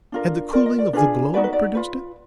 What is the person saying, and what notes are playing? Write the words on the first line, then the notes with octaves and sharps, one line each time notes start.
Had the cooling of the globe produced it?
D4 F4 A#4
F4 A#4 D5
D#5
D5
D4 F4 G#4 B4
D#4 F#4 B4 D5
B4
D5
F4 B4